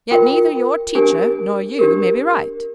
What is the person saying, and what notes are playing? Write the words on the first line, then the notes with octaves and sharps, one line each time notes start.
Yet neither your teacher nor you may be right.
F4 A#4 G5
D4 G4 A#4 G#5
D4 G4 A#4